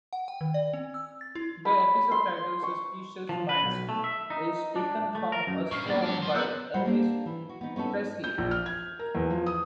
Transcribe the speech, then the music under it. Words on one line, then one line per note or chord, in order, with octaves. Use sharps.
The episode title "Suspicious Minds" is taken from a song by Elvis Presley.
F#5
G5
D#3
D5
C4
E6
A6
E4
B5
C6
C#6
F3
B4
B1
A3
E5
D#4
D4
A3
A#4
F#2
G2 C#6 F6 C7
G#2 G#3 A#3 B3 D4 A6
F#3 D4 G4
F4 C5
B3 D4 A#4 F#5 E6 F#6 G6
G3 A#4 C5 F#5
A#3 D4 G4
E3
F#4
B3 D#4
B3 C#4 D#4 A4
G6
A#1
F6
G#6
A#4
E2
F3
D#6